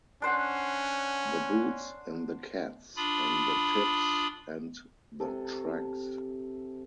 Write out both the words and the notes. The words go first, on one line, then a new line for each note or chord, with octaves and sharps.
The boots and the cats and the tips and the tracks.
C#4 D4 C5 F#5
D4 F4 B5 D#6
C3 A4